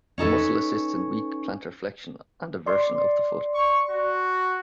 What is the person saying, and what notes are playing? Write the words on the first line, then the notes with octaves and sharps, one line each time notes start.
The muscle assists in weak plantarflexion and eversion of the foot.
C#4 D#4 A4 B4
D5 C6
C#6
F#4